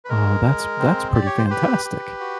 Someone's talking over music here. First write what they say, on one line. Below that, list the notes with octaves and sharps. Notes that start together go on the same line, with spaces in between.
Oh, that's that's pretty fantastic.
B4
G#3 A#4
G#3
C4
G4 D5
C#5
C5
G4 B4
G4
F#4